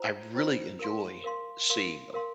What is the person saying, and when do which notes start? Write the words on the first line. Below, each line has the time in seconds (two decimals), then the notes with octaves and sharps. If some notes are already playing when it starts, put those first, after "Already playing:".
I really enjoy seeing them.
Already playing: F4 C5 A#5
0.35 F4 C5 G5 A#5
0.79 A#4 F5 C6
1.24 A#4 F5 C6
1.70 A#4 F5 C6
2.14 A#4 F5 C6